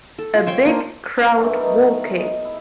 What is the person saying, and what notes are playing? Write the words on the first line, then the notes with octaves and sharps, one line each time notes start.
A big crowd walking.
A4
F4
C5 C#5 G5
A#3 D4 F4
A#2 C5 F5 A#5
D3 E3 F#3 A3
B3 D#4
B5
G#3
E4